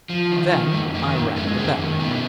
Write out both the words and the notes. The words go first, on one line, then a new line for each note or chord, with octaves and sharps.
Then I rang the bell.
F3
D#3
D#3
F#2 A3
D#3 A#3
F#2 A#3
G#3 A3 B3
F#2 A#3 C4
D#3
B2 A3 B3